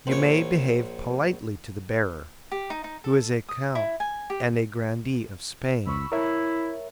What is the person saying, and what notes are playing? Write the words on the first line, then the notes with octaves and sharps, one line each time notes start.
You may behave politely to the bearer, who is a count and a grandee of Spain!
A#1 C#5
G4
D#4
D#4
A4
D#6
E4
G#5
G4
C#2 B5 C#6 E6
E4 A#4 C#5 E5